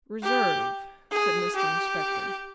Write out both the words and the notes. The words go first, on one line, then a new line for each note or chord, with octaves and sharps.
'Reserve!' said Mr Inspector.
G4
G#4
G4